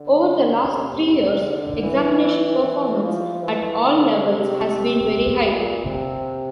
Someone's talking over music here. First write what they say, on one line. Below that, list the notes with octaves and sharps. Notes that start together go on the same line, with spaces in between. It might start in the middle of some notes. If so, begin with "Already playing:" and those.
Over the last three years, examination performance at all levels has been very high.
Already playing: D3
C3
D3
E3
E3
F3
E3
D3
C3
A#2
C3